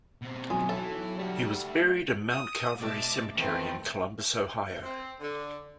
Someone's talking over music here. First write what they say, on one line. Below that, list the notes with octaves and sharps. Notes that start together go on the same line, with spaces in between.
He was buried in Mount Calvary Cemetery in Columbus, Ohio.
B2 C4
B1 G#3
A2 E3 E4 A4
G3 A3 F#5
D#6
B2 G#3 D5 E5 A5
D#3 E3 A3 B3 C4
C4
D3